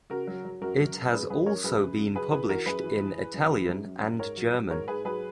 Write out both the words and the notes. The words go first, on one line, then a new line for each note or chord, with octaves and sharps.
It has also been published in Italian and German.
C#3 F#4 A#4
F#3
F#3
F#2 F#4 A#4
F#2
C#3
F#2 G#4 B4
F#2 G#4 B4
F#2 A#4 C#5
F#2 G#4 B4
C#3
C#3
F#2 G#4 B4
E3 G#4 B4
E3 F#4 A#4
F#2 G#4 B4
E3
E3
E3
F#2
E3
F#2
F#2
F#2
G#2 A#4 C#5
F#3
F#3
G#2 A#4 C#5
G#2 G#4 B4
F#3 G#4 B4